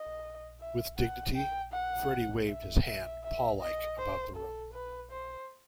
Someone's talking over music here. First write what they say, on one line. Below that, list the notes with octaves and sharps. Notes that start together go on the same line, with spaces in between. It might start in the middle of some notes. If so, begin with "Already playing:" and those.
With dignity Freddie waved his hand paw-like about the room.
Already playing: D#5
E5
F#5
G5
F#5
E5
E5
E5
D#5
C5
A4
B4
C5